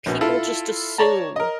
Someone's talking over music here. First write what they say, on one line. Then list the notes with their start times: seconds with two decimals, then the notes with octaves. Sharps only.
people just assume
0.06 A#1 B2
0.21 E4 F4 A4
0.98 C#5 D5 A5 A#5
1.36 A#4 D#5